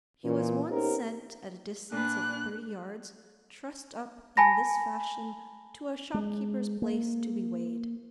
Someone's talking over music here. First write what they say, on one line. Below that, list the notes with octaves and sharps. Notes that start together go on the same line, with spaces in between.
He was once sent a distance of thirty yards, trussed up in this fashion, to a shopkeeper's place, to be weighed.
A#2 E3
B3 C#4 D#4 G4 A#4 C5
A#2 D4 B4 F#6
G#5 A5 B5 A#6
G#3
A#3